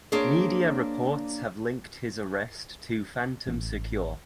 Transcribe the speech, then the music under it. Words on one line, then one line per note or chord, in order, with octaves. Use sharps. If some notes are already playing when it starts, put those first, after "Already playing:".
Media reports have linked his arrest to Phantom Secure.
A#3 D4 G#4 C5 C#5
A1